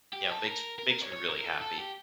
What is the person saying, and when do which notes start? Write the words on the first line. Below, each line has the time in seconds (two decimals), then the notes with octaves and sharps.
you know, makes makes me really happy.
0.13 G4
0.31 A4
0.47 A#4
0.79 A#4
0.91 A#4
1.02 C#5
1.12 C#5
1.29 A#4
1.46 A4
1.61 A4
1.78 G4